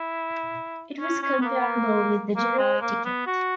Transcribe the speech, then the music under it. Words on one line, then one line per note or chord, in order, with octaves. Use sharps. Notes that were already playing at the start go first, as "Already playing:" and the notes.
It was comparable with the general ticket.
Already playing: E4
C#4
C#4
B3
A#3
A#3
G#3
A#3
B3
F#4